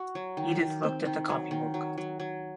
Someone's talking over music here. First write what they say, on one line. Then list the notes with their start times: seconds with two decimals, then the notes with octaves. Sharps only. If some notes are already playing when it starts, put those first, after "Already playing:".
Edith looked at the copybook.
Already playing: F#4
0.15 F#3
0.37 D#3
0.60 D#3
0.83 C4
1.05 D#3
1.29 F#3
1.51 D#3
1.74 F#3
1.98 F#3
2.19 F#3